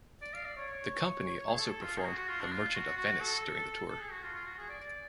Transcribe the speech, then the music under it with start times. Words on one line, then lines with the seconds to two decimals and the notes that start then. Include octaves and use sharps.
The Company also performed "The Merchant of Venice" during the tour.
0.22 D5
0.34 F5
0.45 D5
0.57 C#5
1.49 G#4
1.59 A4
1.82 F4
1.98 G#4
2.05 F#4
2.17 F#4
2.28 F4
2.40 D4
2.52 F4
2.75 F#4
2.97 F#4
3.21 A4
3.89 A4
4.00 G#4
4.11 F#4
4.23 F4
4.34 F4
4.46 F#4
4.58 G#4
4.69 D5
4.80 D5